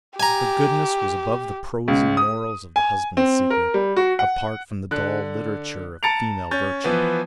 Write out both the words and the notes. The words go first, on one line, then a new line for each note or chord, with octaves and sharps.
Her goodness was above the prosy morals of the husband-seeker, apart from the dull literature of female virtue.
G4 G#5 A#5
C#2
D#6
G#5
C4
A#4
G3
F#4
F#5
D3 F#6
A5 A#5 A6 C#7 D7 F7
C#4 G6 A6
E3 F3 B3